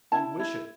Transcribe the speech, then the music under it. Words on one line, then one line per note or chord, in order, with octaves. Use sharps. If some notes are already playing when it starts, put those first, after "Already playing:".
You wish it.
E4 A5
E4